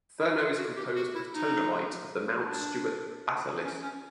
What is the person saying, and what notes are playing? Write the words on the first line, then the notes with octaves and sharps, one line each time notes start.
Fernow is composed of tonalite of the Mount Stuart batholith.
E4
F4
F#4
G4
F#4
E4
D#4
D4
C#4
C#4